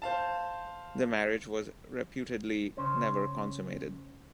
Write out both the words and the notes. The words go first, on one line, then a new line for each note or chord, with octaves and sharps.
The marriage was reputedly never consummated.
C5 F5 A5
C#3 C#4 C5